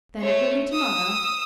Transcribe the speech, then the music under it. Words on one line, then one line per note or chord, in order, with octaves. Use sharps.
"Then it will be to-morrow."
A3 C#5
D#6 E6